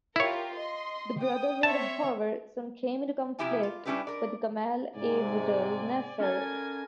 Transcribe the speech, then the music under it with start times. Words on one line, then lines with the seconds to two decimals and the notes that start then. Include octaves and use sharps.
The Brotherhood, however, soon came into conflict with Gamal Abdel Nasser.
0.16 E4 F4 G4 A#4 C#5
0.55 D#5 C6
1.19 G5 D#6
1.63 C4 C#5 E5 A5
3.39 C3 F3 E4 G4 E5 G#5
3.63 F4
3.85 G3 C#4 D4 E4 G4 B4
4.07 A#4 D5
4.96 G#2 C3 D5 G#5
6.20 C#4 A4 A#4 G#5 A5 G#6